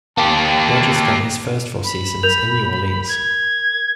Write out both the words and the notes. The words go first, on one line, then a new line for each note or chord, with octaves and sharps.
Rogers spent his first four seasons in New Orleans.
A#3 G4 A5
B5
A#4 G6 F7
G#6